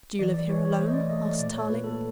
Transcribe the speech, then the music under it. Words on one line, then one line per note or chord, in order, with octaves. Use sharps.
"Do you live here alone?" asked Tarling.
E3 D5
D5
E3 C#5
C#5
A3 C5
D#5
D5
A3 D#5
D5
A#2 D5
C#5
A#2 B4
A4